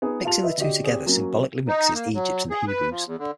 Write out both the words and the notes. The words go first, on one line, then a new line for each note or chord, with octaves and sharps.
Mixing the two together symbolically mixes Egypt and the Hebrews.
B3 D#4 G#4
F4 G4 A5 F7
B4 D#5 E5
D3 F#4 G4 D#5
C4 G4 G#4 D5
F#3 A#3 C#4
D#4
A#3
F#3
G#4
B4
F3
E2
D3